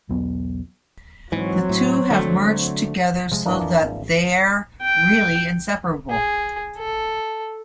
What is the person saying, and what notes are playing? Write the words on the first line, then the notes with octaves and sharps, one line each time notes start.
The two have merged together so that they're really inseparable.
B1 E2 F#3 B3
G#2 E3 F#3 C4
A2
D3 A3
C3 F3 G#3
E2 G#2 E3 A#3 D4
F2
G#1
G5
G#4
A4